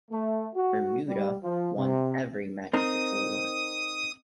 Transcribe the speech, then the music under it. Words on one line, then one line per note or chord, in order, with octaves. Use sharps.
Bermuda won every match of the tour.
A3
F#4
G3
F3
C3
C4 D#4 A#4 D#6